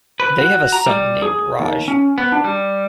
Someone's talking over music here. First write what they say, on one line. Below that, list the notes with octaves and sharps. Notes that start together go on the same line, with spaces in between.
They have a son named Raj.
B4
F#4
A#5
G3
G#4
D#2
C#4
B3
D4
G3